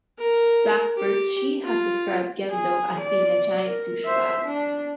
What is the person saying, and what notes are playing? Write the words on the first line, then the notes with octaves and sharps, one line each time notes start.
Zac Bertschy has described Gendo as being "a giant douchebag".
A#4
G4
F4
G#4
D5
A#4
C5 E5
D4